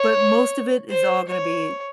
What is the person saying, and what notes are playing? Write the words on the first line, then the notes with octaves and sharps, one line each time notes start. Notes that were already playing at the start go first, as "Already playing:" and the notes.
but most of it is all gonna be
Already playing: C#5
C5
C#5